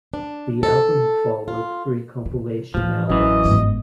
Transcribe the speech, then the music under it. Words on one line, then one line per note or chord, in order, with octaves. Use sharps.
The album followed three compilation albums.
D4
A4
F4
C3
A2 E3 F3
A1 F#2 E3 D#5
G1 G#2